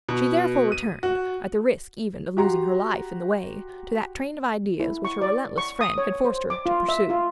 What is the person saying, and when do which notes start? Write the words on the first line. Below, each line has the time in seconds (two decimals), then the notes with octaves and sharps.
She therefore returned, at the risk even of losing her life in the way, to that train of ideas which her relentless friend had forced her to pursue.
0.09 B2
0.72 D#7
1.03 F#4
2.37 F#4 G4 A#5 C6
4.80 E4
5.05 C#6
5.21 D5
5.58 C#6
5.81 D#6
5.98 C#5
6.25 C5
6.50 D6
6.66 F4
6.89 E5
7.10 F4